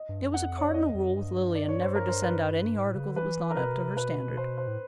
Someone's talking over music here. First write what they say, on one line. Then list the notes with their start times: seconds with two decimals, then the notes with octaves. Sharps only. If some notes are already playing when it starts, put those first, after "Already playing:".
It was a cardinal rule with Lilian never to send out any article that was not up to her standard.
Already playing: D#5
0.09 G2
0.21 F#2
0.34 F2 F#5
0.57 C#5
0.64 F#2 D5
0.74 F2 D#5
0.94 F2
1.08 F#2
1.14 G2
1.55 D5
1.69 C#5
1.82 C5
1.95 A#4
2.09 C5
2.22 B4
2.76 G#2
2.86 A2
2.96 C#3
3.06 D3
3.16 E3 B4
3.51 A#4
3.57 C3 B4
3.65 B2
3.74 C3
3.97 B2 B4
4.37 C5
4.58 C5
4.67 A2